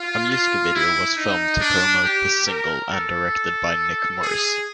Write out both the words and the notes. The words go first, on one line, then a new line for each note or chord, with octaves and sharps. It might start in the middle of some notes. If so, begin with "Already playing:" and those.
A music video was filmed to promote the single and directed by Nick Morris.
Already playing: F4
F4
E4
D#4
D4
G4
A#4
A4
G#4